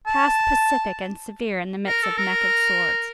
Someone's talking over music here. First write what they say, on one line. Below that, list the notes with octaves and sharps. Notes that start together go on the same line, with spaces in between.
He passed, pacific and severe, in the midst of naked swords.
A5
A#4
A4
A#4